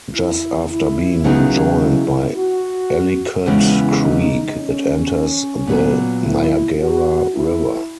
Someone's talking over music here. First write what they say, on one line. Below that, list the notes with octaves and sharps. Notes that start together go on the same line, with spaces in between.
Just after being joined by Ellicott Creek, it enters the Niagara River.
E4
E4
C#3 F#3 B3 D#4 G#4
E4
F#4
E2 C#3 E3 G#3 E4
D#4
C#4
A#2 F#3 B3
E4
F#4
E4